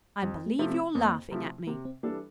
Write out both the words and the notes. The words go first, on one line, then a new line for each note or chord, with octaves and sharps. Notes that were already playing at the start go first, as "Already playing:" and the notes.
I believe you're laughing at me!
F2 G3
A3
C3 F3 A3 E4
C4
F2 A#3
C3 F3 A3 E4
C3 A#3
C4
E3 G3 A#3 D4 A4